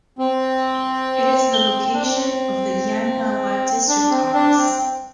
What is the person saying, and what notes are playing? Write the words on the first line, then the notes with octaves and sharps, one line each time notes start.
It is the location of the Yan Nawa District Office.
C4
D4
C4
D4
C4
D4
C4